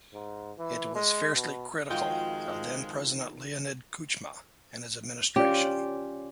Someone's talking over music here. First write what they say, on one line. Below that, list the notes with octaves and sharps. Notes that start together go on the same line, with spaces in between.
It was fiercely critical of then-President Leonid Kuchma and his administration.
G#2
E3
G#3
B2
F2 D#3 F3 G#3 F4 F#4 G5
C#4 F4 G4 D5